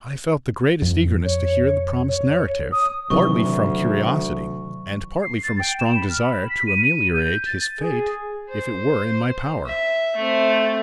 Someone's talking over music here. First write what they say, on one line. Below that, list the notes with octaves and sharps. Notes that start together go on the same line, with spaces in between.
I felt the greatest eagerness to hear the promised narrative, partly from curiosity and partly from a strong desire to ameliorate his fate if it were in my power.
F2
C#5
C#5
D#6
D2 C3 D#3 E3 F#3 C#6
C7
A6
G5
E7
B5
F6
B5
B6
D#7
D#7
G6
A6
G#4
C5
E5
A3 C4